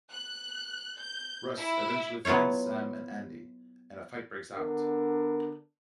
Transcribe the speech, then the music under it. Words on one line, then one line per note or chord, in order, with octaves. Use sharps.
Russ eventually finds Sam and Andy, and a fight breaks out.
F#6
G6
E4
F#3 B3 E4 F4 C#5
D3 B3 D4 A#4